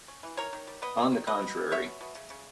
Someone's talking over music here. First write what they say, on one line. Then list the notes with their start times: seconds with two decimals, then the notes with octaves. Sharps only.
On the contrary.
0.08 C#4
0.23 E3
0.37 D#3 A#4 C#5
0.53 D#3
0.67 G3
0.82 B3 B4 D#5
0.97 D#3
1.12 D#3
1.27 B2 B4 D#5
1.42 B2
1.57 G3
1.71 B3 C#5 E5
1.86 B2
2.01 B2
2.15 C#3
2.30 C#3